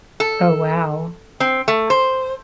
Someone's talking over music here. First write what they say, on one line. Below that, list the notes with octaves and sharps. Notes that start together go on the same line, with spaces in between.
Oh, wow.
A4
C4
A3
C5